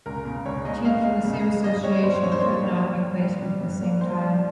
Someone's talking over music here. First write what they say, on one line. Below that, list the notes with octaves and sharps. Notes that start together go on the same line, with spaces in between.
Teams from the same association could not be placed into the same tie.
C#2 A#4
C#3
C#2 C#5
G#3 D#5
G#3 F5
G#3
C#3
G#3
G2 D#5
G3 C#5
G2 C5
G2 C#5
C5
A#3 C#5
G3
G3
G3
G3
G3
G2
A#3
G3 C5
G3